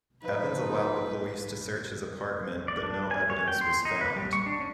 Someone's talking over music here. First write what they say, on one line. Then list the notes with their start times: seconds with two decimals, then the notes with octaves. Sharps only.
Evans allowed the police to search his apartment but no evidence was found.
0.22 F3 D#4 B4
2.68 D5
2.83 D4
3.11 G#5
3.30 C#5
3.48 G5
3.61 C6
3.85 D#4
4.01 B4
4.16 G3
4.33 C#6
4.46 D4
4.60 C#4